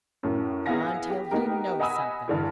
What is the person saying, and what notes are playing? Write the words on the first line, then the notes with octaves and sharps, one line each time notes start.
"Until he KNOWS something!"
F#2 A2
B3 E4 G#4 F5 G#5 A#6
G4
A#3 B3 D#4 G4 A#4
D#5 F#5 G#5 B5 D#6 E6
G2 D3 E3